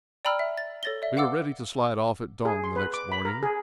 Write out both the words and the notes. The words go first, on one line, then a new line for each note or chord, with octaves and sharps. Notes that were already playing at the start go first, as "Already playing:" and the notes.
We were ready to slide off at dawn the next morning.
D5 G5 A#5 B5 E6 F6
E5
A6
A4 C#5 A6 A#6 G7
D5 E5
B4 F5 F#5 D6 E6 A6
G#4
C6
B4
D6
B5
A#4
G#4